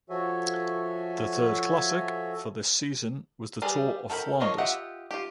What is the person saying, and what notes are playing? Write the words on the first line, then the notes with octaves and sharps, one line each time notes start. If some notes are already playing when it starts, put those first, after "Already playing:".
The third classic for this season was the Tour of Flanders.
F3 F#4 A4 C#5 E5 G#5
G3 G#4 B4 B5
A4 A#4 G5 B5
F3 D4 A#4 C#5 D#5
F4 G4 D#5 E5 F#5
F4 G4